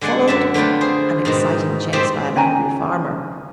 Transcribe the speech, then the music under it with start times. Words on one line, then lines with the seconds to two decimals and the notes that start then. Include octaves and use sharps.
Followed--an exciting chase by an angry farmer.
0.01 D3 G#3 D5 F#5 G#5
0.28 F#2 F#3 E5 A5
0.54 D3 A3 F4 B4 G5
0.81 G#4 C5
1.25 G#2 B2 D#3
1.93 G#2 D#3 C4 G4 C5 E5
2.36 C#4 G5 G#5 A#5